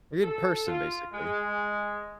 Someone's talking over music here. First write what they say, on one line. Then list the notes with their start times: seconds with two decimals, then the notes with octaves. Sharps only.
A good person, basically.
0.23 A4
0.66 F4
1.11 G#3